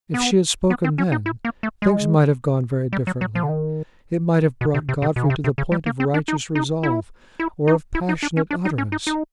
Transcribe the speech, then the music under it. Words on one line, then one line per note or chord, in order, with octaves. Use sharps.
If she had spoken then, things might have gone very differently: it might have brought Godfrey to the point of righteous resolve or of passionate utterance.
B3
B3
C4
C#4
D#4
E4
A#3
A3
G#3
G3
F#3
F#3
F3
D3
D#3
B2
C3
C3
C3
B2
C#3
C3
C3
C#3
G3
A#3
C4
D4
D#4
D#4
E4
E4
D#4
E4
D#4
D4
C#4
D4
D#4
C#4
D#4
D#4